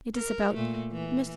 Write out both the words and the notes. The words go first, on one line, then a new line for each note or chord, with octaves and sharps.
It is about--Mr.
A#4
A#2 A3
E3